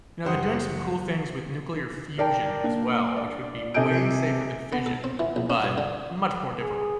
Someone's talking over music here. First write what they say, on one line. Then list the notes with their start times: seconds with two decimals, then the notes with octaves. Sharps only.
You know, they're doing some cool things with nuclear fusion as well, which would be way safer than fission, but much more difficult.
0.25 F#1 G3 C5 F#5 D#6
2.18 A#4 D5 G5 A5
2.64 A#3 D4
3.17 D5
3.74 C3 A4 D#5 G#5 G6 D7
4.73 B3
4.86 A4
5.04 C4
5.19 E3
5.36 A#1
5.50 C#4
5.64 G2
5.78 D3
6.62 G#4